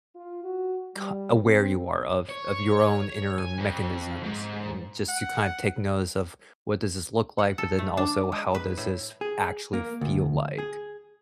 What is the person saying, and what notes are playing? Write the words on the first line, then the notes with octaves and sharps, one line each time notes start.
c aware you are of of your own inner mechanisms and just to kind of take notice of what does this look like, but then also how does this actually feel like,
F4
F#4
G3
C4
C#5
G#5
F2
G#2
F#5
F#5
A4
A3
D4
G#3
B4
A2
G#4
A#3
D2
G#4